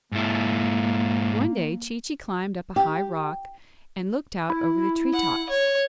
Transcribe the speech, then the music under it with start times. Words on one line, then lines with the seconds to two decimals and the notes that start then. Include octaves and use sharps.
One day Chee-Chee climbed up a high rock and looked out over the tree-tops.
0.12 G#2 A#3 E4
2.76 G4
4.50 E4
5.13 F#5
5.49 C#5